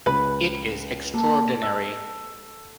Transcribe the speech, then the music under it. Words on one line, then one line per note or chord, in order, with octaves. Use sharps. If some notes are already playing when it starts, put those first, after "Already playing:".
It is extraordinary.
C#2 B4 B5
A#3 A4
E6